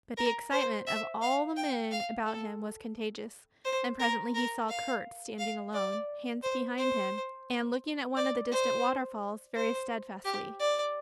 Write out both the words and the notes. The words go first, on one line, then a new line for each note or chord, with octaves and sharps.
But the excitement of all the men about him was contagious, and presently he saw Kurt standing alone, hands behind him, and looking at one of the distant waterfalls very steadfastly.
A#4
C5
E5
F5
G5
F5
A4
C5
A#4
A#4
F5
F5
D5
C5
C5
D5
C5
C5
G4
D5